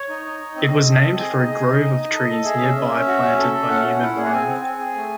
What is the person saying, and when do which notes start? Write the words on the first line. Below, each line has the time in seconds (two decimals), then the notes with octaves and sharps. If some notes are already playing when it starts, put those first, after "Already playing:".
It was named for a grove of trees nearby planted by Newman Warren.
Already playing: C#5
0.09 D#4
0.25 D#4
0.41 D#4
0.56 C4 D#5
0.72 C4
0.88 A4
1.03 C4
1.19 G#4 D#5
1.34 D#4
1.50 G#4
1.65 D#4
1.82 D#4
1.98 D#4
2.13 A4
2.28 A4
2.44 G#4 E5
2.60 C#4
2.75 C#4
2.91 C#4
3.07 F#4
3.23 C#4
3.39 A4
3.54 A4
3.69 C#4 F#5
3.85 C#4
4.01 E4
4.16 G#4
4.26 F#5
4.32 C4 G#5
4.47 C4
4.64 C4
4.79 G#4
4.95 A3